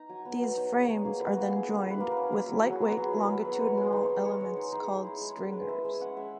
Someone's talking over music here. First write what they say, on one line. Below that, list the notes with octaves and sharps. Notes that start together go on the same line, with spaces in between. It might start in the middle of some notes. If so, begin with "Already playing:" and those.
These frames are then joined with lightweight longitudinal elements called stringers.
Already playing: D#4 A#5
F#3 G#5
B3
F#3 D#5
D#4 C#5
F#3 G#4
B3 C#5
A#3 G#4
E4 F#4
A#3
C#4 G#4
A#3 G#4
E4
B4
A#3
A#4
C#4
F#3
E4
F#3 G#4
F#4
B3
F#4
F#3 G#4
E4
A#4
F#3
B3 B4
G#3 C#5
G#3
D#5
D#4
C#5
D#4
G#3 C#5
G#3 C#5
D#4 C#5
D#4 G#4
G#3
E4
G#3
C#4 G#4
A#4
G#3 B4
E4 E5
G#3 E5
C#4 F#5
G#3 E5